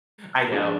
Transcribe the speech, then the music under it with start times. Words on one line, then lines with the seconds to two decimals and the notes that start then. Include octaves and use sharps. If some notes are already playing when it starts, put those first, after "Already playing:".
I know.
0.51 F3 G#3 D4 G#4